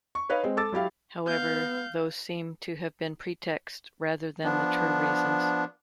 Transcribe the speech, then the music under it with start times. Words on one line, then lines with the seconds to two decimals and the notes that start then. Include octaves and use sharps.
However, those seem to have been pretexts rather than the true reasons.
0.15 C#6
0.29 D#4 B4 C#5 D#5 F5
0.43 G#3 C4
0.57 A4 D6 E6 A6
0.72 F#3 E4 G4 F5
1.27 B3 F5 G6
4.44 F3 B3 D4